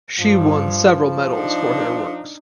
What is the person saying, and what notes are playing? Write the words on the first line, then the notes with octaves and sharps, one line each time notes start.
She won several medals for her works.
G2 F3
D4 D#4